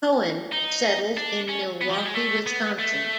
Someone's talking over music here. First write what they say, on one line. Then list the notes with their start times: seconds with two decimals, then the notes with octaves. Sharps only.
Cohen settled in Milwaukee, Wisconsin.
0.52 D#4
1.17 D4
1.49 C#4
1.82 B3
1.90 F3
1.99 G3
2.06 G#3
2.14 A3
2.46 B3
2.79 A3